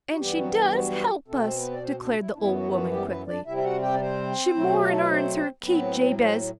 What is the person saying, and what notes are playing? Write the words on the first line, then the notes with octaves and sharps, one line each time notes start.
And she does help us," declared the old woman, quickly. "She more'n airns her keep, Jabez.
F#4
G2 E3 G3 B3 G4
F#3 F#4
F#3 F#4
B2 A3 C4 A4
C5
B3 B4
D5
C4 C5
D4
E4
D4
F#2 E3 B3 E4
F#3 F#4
F#3 F#4
G3 G4
B3 B4
D4 D5
C3 G3 C4 E4 E5
E5
F#4 F#5
G4 G5
D5
C4 C5
B2 F#3 A3
F#4
G4
A4
B4
C4 C5
A2 F#3 B3 C4 B4
C4 C5